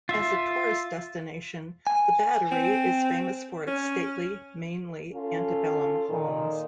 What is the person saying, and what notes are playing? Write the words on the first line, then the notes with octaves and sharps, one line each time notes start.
As a tourist destination, the Battery is famous for its stately, mainly antebellum homes.
F4 E5
G#5
C4
C#4
C#4 F4 A4
A#2 D#3